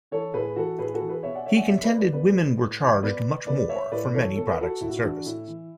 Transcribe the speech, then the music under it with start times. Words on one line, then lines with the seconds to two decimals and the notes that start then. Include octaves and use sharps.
He contended women were charged much more for many products and services.
0.11 E3 A4 C#5
0.34 A2 G#4 B4
0.56 E3 F#4 A4
0.79 A2 G#4 B4
0.94 F#4 A4
1.01 E3
1.08 G#4 B4
1.23 B2 C#5 E5
1.34 D5 F#5
1.46 C#5 E5
1.57 D5 F#5
1.68 B2 C#5 E5
1.83 B4 D5
1.98 B4 D5
2.13 B2 B4 D5
2.58 A2
2.80 E3
3.02 B2 B4 D5
3.47 B2 B4 D5
3.69 C#5 E5
3.92 A2 B4 D5
4.14 E3 A4 C#5
4.36 B2 A4
4.48 B4
4.61 F#4 A4
4.80 A2 E4
4.89 F#4
4.96 E4
5.03 E3 D4 F#4
5.26 A2 E4
5.47 E3